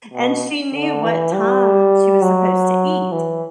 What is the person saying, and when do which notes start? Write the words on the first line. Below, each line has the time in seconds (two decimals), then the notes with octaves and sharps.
and she knew what time she was supposed to eat,
0.13 B2
0.74 D3
1.03 E3
1.33 G3
2.22 F#3
3.12 E3